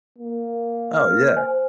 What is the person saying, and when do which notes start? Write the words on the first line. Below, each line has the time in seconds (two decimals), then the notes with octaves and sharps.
Oh, yeah.
0.18 A#3
0.94 F6
1.36 C5 G#5